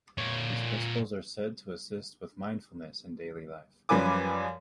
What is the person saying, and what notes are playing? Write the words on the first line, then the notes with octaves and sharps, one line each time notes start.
These principles are said to assist with mindfulness in daily life.
A#2 C#5
F#2 F3 G3 B4 G#5 D6